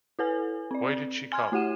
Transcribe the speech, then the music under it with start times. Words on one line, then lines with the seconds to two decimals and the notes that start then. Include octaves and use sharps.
Why did she come?
0.19 E4 A4 B4 G#5
0.71 C4 D5
1.32 G#5 C6 F6 G#6
1.52 A3 E4 G4 F#5 D#7 E7